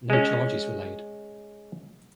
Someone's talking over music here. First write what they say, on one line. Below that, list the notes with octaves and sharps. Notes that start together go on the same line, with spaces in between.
No charges were laid.
G#3 C#4